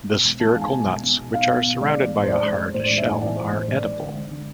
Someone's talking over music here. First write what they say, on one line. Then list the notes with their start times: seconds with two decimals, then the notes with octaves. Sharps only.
The spherical nuts, which are surrounded by a hard shell, are edible.
0.09 B2
0.25 G#3
0.40 G#3 A5
0.47 G#5
0.54 G#3 F5
0.61 G#5
0.71 B2
0.87 G#3
1.03 G#3
1.18 B2
1.34 B2 F5
1.49 B2
1.66 B2
1.80 G#3 D5
1.96 E3
2.12 A2
2.24 C5
2.28 G#3 D5
2.43 G#3
2.59 G#3
2.74 A2 C5
2.86 D5
2.90 G#3
2.98 E5
3.06 A2 G#5
3.21 E3 D5
3.37 E3 C5
3.52 A2 C5
3.68 G#3 D5
3.84 G#3
3.99 D3
4.15 G#3
4.31 D3